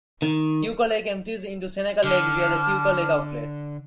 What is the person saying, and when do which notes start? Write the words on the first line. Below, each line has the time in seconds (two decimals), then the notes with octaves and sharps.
Keuka Lake empties into Seneca Lake via the Keuka Lake Outlet.
0.22 D#3
2.04 D3 A5 D6 F6